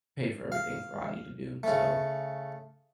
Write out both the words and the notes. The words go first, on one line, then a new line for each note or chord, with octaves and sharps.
pay for everything for I need to do, so
F5
C#3 A3